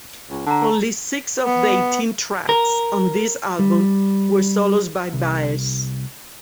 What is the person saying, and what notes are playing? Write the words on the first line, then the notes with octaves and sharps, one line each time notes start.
Only six of the eighteen tracks on this album were solos by Baez.
C#2
D3 A5 A#5
B3
A#4
G3
C2